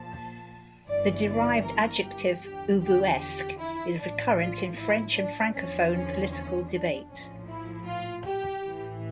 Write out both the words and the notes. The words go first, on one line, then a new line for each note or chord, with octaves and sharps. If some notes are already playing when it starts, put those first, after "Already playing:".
The derived adjective "ubuesque" is recurrent in French and francophone political debate.
Already playing: A#1 A#2 F3 A5
G1 G2 E3 D5
D5
A#4
G4
E2 D3 F3 G4
G4
G4
E4
A1 A2 F3 D4
F4
E4
D4
E2 D3 F3 C#4
C#4
C#4
D4
A#1 A2 F3 C#4
E4
F4
G4
A1 A2 E3